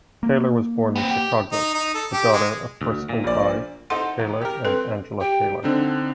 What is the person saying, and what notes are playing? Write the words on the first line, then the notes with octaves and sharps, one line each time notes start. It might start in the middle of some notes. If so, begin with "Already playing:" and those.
Taylor was born in Chicago, the daughter of Percival Guy Taylor and Angela Taylor.
A#3
B3 C4
G4
D#4
D#4
A4
G4
G#3
D2
A#2
A#1 D5
D#4 A4 C5 F#5 C6
A1
G4 A#4
C4 A4 B4
G4 G5
D3 C4 D4 D#4